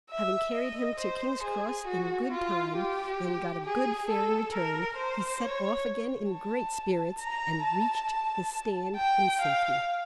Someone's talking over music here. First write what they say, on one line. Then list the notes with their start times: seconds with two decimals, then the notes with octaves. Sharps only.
Having carried him to King's Cross in good time, and got a good fare in return, he set off again in great spirits, and reached the stand in safety.
0.10 E5
0.55 D#5
0.99 C5
1.43 G#4
1.87 F#4
2.31 F4
2.77 G4
3.65 G#4
4.09 A4
4.54 A#4
4.97 C5
5.42 C#5
6.31 A5
7.19 A#5
7.63 A5
8.96 G5
9.41 F5